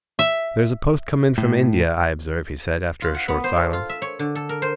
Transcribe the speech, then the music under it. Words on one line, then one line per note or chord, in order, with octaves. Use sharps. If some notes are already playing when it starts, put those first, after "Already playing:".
'There is a post come in from India, I observe,' he said, after a short silence.
E5
A2
F4
F#5
B3
C5
A4
F4
E5
C#5
D3
A4
A#4
C5